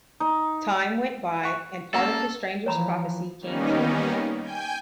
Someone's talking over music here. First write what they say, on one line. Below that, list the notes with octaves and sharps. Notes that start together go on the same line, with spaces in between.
Time went by and part of the stranger's prophecy came true.
D#4
F#5 C#6
A#3 C#4 A4 A#5
E3 F3 C#5 A#5 B5
D#3 G3 A#3 B3 C#4 D#4
G5 G#5 G6